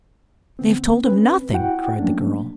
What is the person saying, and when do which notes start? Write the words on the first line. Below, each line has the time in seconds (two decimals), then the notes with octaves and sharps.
"They have told him nothing!" cried the girl.
0.59 D3 B3 C4
1.05 C4 C#4 B4
1.53 E4 F#4 F#5 G5
1.99 F3 F#3 A3 A#3 C#4 D4